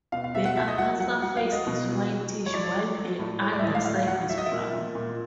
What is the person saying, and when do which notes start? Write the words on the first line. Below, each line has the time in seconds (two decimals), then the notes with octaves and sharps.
The upper surface is whitish while the underside is brown.
0.12 B2 F5
0.24 F5
0.34 B2 E5
0.45 F#5
0.56 F#3 E5
0.68 D#5
0.78 F#3 F#5
1.00 F#3 F#5
1.22 F#3 F#5
1.37 F5
1.45 F#3
1.52 D#5
1.67 B2
1.88 F#3
2.10 F#3
2.32 F#3
2.46 C#5
2.54 F#3 D5
2.76 F#3
2.98 F#3
3.19 A2
3.41 A2 C#5
3.53 D5
3.59 E5
3.64 A2 D#5
3.75 F5
3.85 F#3 F5
4.07 F#3 F#5
4.30 F#3 E5
4.38 D#5
4.46 E5
4.52 A#2
4.74 A#2
4.95 A#2